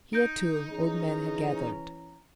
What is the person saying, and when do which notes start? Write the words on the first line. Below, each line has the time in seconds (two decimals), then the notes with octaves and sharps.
Here, too, old men had gathered.
0.13 D#4 G6 A#6 D7
0.72 E3 C#4 G#4 A#5